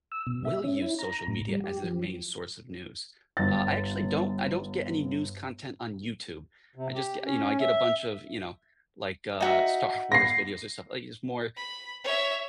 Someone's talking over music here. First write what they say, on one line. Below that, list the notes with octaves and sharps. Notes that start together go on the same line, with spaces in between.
will use social media as their main source of news. Uh, I actually don't I don't get any news content on YouTube. I just g you know, I get a bunch of, you know, like, uh, Star Wars videos or stuff. Like, it's more,
E6
B2
E5
C#4
E4
A#5
A2
G3
G4
F3
G1 A6
C3
G4
C#4
E5
D#4 F#4 E5
A#6 C7
B5
C#5 E5